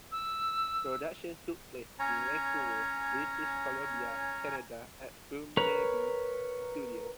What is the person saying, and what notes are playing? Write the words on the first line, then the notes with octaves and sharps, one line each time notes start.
Production took place in Vancouver, British Columbia, Canada at Burnaby Studios.
E6
C#4 C#5 G#5 A#5
A#4 B4 C#5 A#5 B5